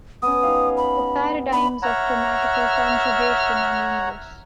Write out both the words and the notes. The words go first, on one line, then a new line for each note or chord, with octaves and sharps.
The paradigms of grammatical conjugation are numerous.
B3 C#4 D#6
D#4 G4 F5
B5
D4 E5 B5
C#5 E5 F#5 A#5 F6